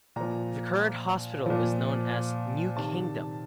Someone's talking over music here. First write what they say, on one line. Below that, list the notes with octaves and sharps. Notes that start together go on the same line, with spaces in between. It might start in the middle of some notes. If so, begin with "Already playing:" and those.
The current hospital is known as the "New Kingdom".
A#2 F3 A#5
A#2 F3
C3 D#3 A5